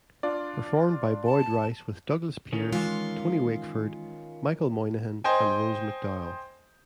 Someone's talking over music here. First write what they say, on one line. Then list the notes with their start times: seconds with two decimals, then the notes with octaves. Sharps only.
Performed by Boyd Rice with Douglas Pearce, Tony Wakeford, Michael Moynihan and Rose McDowall.
0.23 D4 F4 D5
1.26 A5
2.53 D#3 C#4
2.73 E3 G#3 F4
5.24 C5 D#5 G5 G#5